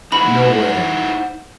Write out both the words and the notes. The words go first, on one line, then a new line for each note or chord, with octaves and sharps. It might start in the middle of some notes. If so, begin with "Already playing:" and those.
No way.
D#4 E4 F#4 C5 F#5 B5